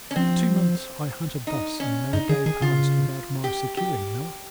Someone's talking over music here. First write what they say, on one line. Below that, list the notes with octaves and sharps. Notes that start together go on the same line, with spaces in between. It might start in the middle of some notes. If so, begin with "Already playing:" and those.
For two months I hunted thus, and no day passed without my securing, an elephant.
C#4
F3 C4
D#4
C#4
G2 D#4
D#3 G#4
D#3 G#4
C#3 F4
G4
G4